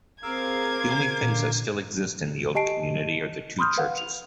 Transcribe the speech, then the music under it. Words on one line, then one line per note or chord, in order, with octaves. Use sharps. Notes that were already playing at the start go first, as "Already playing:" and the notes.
The only things that still exist in the old community are the two churches.
C4 G#4 A#4 C5 F5 D6 E6 G#6
A#2 D3 E3
G4 D#5 G#5 A5 C7 D7
B5 C6 D#6 F6 G6
B4 F5 F#5
F7